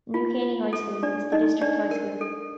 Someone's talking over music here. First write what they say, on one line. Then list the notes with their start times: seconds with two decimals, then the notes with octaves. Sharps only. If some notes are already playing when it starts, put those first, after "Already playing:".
New Caney High School is the district high school.
0.14 F4
0.73 A4
1.03 D4 D5
1.32 D#4 D#5
1.61 D4 D5
1.91 A#4
2.21 A4